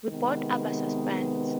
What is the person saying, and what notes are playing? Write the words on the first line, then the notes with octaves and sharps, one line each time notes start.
We both abhor suspense.
C3 D#3 G#3 B3